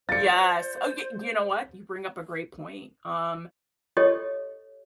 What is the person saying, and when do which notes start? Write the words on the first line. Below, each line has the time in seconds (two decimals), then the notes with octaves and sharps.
Yes. Oh, y you know what? You bring up a great point, um,
0.09 F4 C5 D5 A6 C#7
3.97 G4 A4 C#5 D#5